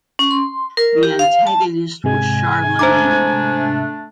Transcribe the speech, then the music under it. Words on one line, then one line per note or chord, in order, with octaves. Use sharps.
The antagonist was Charlemagne.
C#4
C6
A#4
G4
F5
A5
G#2 C3 G#3 G#5
A3 D4 C5 A#5 D6